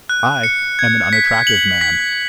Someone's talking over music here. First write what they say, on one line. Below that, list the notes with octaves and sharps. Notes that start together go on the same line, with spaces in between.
I am an unattractive man.
F#6
C#7
G#6
B6
F#7
B6